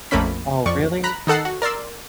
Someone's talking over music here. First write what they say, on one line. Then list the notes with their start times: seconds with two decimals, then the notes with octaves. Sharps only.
Oh, really?
0.11 A#1 F2 A3 A#3 C#4 B5
0.66 F2 D5 C#6
1.04 A#5 B5 F#6
1.27 D#3 D#4 A4 F#5 C7
1.45 F#4
1.62 A#4 D5 C6 E6